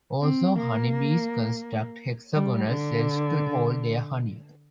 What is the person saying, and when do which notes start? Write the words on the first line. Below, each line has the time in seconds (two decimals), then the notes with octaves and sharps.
Also, honeybees construct hexagonal cells to hold their honey.
0.22 C4
0.57 A#3
2.34 G3
2.70 D3